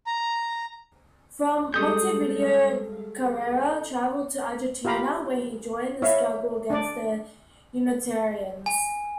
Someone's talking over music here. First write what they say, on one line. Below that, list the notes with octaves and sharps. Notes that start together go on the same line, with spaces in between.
From Montevideo Carrera traveled to Argentina where he joined the struggle against the unitarians.
A#5
G3 G#3 G#4 A4 D#6 G6
F4 G4 F5 A#5 B5
E4 C#5 E5 F5
D4 D5
G#5